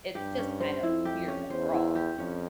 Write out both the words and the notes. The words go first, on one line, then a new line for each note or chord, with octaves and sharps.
it's just kind of weird overall.
G2 G4
C#4
C5
F2 E4
G4
C#4
E2 C5
E4
G4
F2 C#4